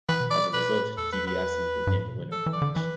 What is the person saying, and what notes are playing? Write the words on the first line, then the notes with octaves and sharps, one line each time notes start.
As a result, DiBiase was named the winner of the match.
E3 B4
B2
E3 D5
G3
B2 B4
A2
E2 A4
B4
B4
G2
A2
B2
D3
E3 A4
E3
D5
D3
E3 B4